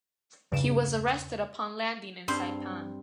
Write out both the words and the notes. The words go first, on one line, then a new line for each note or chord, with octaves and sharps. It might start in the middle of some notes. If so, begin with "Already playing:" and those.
He was arrested upon landing in Saipan.
E2 G2 C#3 D7 E7
G2 C4 C5